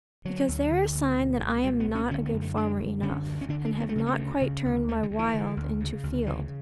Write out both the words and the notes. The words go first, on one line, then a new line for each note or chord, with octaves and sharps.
Because they are a sign that I am not a good farmer enough, and have not quite turned my Wild into Field.
D3 F#3
D2
D3
D2
B2
C#2
B2 G3
B3
C#2
C#4
D3 C#4
B3
F#2
A3
D3 D4
F#2
D3 C#4
D2
C#4
D3 D4
D4
D2
B3
A3
C#3 G3
A3
D2
C#3
D2
D3 A3
D3
D2
E3
D3
D2
C#3
D2
C#3 E3